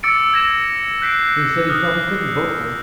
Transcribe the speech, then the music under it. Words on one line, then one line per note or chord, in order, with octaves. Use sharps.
And he said he felt he couldn't vote for it.
D6 E6 A6 C#7 D7
G#6 A#6 E7
F#6 G6 B6 C7 D7
D#6 F6 F#6